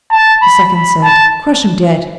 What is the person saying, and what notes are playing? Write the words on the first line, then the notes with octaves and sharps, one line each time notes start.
The second said, 'Crush him dead.'
A5
B5
B5
A5